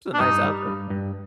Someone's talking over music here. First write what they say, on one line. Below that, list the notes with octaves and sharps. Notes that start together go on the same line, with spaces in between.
It's a nice outfit.
D4
G2 D#4
G3
G2
G2